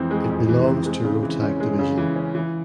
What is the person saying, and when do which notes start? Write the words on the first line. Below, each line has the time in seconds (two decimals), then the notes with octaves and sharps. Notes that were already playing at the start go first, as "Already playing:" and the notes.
It belongs to Rohtak Division.
Already playing: F2 E3 G#3 C4
0.11 G#3
0.29 F2
0.49 E3
0.67 C4
0.86 G#3
1.04 C#3
1.23 E3
1.42 C#4
1.60 G#3
1.79 C#3
1.98 E3
2.16 C#4
2.35 E3